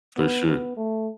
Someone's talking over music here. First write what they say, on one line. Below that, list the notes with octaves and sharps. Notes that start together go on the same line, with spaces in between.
For sure.
B3
B3
A3